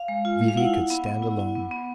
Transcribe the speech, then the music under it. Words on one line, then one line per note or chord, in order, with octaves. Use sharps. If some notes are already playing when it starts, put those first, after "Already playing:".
V.V. could stand alone.
Already playing: F5
G#3
F4
G#3
F5
E4 F#5
E4
B3
B3
E4
E4
B3
B3